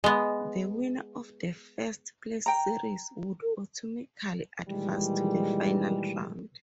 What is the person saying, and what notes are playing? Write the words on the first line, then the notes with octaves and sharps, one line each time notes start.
The winner of the first place series would automatically advance to the final round.
G#3 B3
G5 A#5
A#2 D#3 E3 G3 G#3